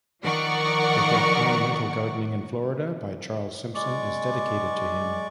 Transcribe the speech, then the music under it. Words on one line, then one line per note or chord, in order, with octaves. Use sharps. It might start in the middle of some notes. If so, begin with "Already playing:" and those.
The book "Ornamental Gardening in Florida" by Charles Simpson is dedicated to him.
D#3 F3 A#4 D5 F#5 C#6
G#3 D5 C#6 D6